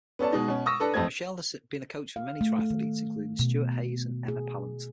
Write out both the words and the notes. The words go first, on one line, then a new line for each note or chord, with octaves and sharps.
Michelle has been a coach for many traithletes including Stuart Hayes and Emma Pallent.
B3 C#4 A4 D5 A5
B2 G#3 D#4
B2 C#4
C#6 D#6 E6 A#6
D4 A4 B4
A1 F2 A3 C4 G#6
F5
A3
D#3
B2
G#4